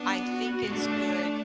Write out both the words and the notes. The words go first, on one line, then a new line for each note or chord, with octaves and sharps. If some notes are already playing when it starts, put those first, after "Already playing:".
I think it's good
Already playing: B3 D4
F#4
G#3
A3 D4